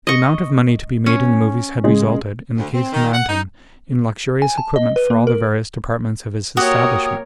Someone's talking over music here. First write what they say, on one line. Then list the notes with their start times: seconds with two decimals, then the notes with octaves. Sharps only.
The amount of money to be made in the movies had resulted, in the case of Manton, in luxurious equipment for all the various departments of his establishment.
0.07 D#5 C#6
1.06 C#4
1.84 C#3 G#3 G#4
2.57 D2
2.74 C4
2.93 D#3
3.14 F#5
3.28 D#4
4.42 G#5
4.58 A5
4.76 D#5
4.96 B4
5.10 A#3
5.27 A#4
6.57 A#3 F#4 G4 A#4 C#5 D#6